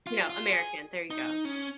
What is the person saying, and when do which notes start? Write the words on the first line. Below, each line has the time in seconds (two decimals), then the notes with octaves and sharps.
you know, American. There you go.
0.07 F4
0.30 F4
0.52 G#4
1.10 D#4
1.45 C#4